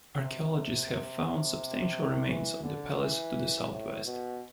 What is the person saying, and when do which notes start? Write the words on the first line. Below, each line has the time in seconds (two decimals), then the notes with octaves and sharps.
Archeologists have found substantial remains of the palace to the southwest.
0.18 C3
2.29 E3
2.64 D3
3.00 E3
3.71 A2
4.05 B2